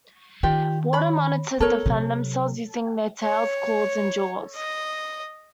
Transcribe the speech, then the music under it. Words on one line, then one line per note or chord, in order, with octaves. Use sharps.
Water monitors defend themselves using their tails, claws, and jaws.
D#3 F4 G4 D5
C#5 B5
B3 A4 A#4 C#5
C3 F#3
C#5
D#5